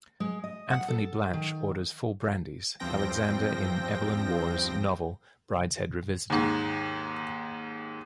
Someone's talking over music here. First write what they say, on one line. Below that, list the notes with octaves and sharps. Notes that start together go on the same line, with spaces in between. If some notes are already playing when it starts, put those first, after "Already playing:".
Anthony Blanche orders four brandies Alexander in Evelyn Waugh's novel Brideshead Revisited.
G#3
D#5
F#5
A4
D#3
E2 G2 F3 C4 G5 A#6
D#2 G#2